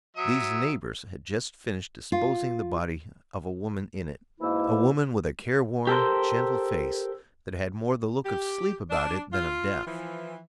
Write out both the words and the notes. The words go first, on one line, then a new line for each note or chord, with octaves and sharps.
These neighbors had just finished disposing the body of a woman in it--a woman with a careworn, gentle face that had more the look of sleep about it than of death.
F#3 E5 D#6
F4
G#2 B2 E3 A#3 E4 E6
G4 A4 A#4 C5
G4
D4
F4
E3 F3